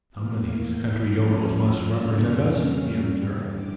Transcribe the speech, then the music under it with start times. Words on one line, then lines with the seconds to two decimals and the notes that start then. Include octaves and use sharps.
"Some of these country yokels must represent us," he observed.
0.12 A2 E3 A#3 F6
0.60 G6
1.08 G2 D3 F3 C#4 F6
1.56 E6
2.03 F2 C#3 G3 A#3 C#4 F6
2.99 E2 D3 G3
3.46 D6